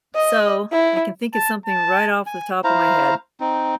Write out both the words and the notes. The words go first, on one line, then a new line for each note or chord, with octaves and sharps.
So, I can think of something right off the top of my head.
D#5
E4
A5
A5
G#5
E4 C5 F5 A#5
C4 D#4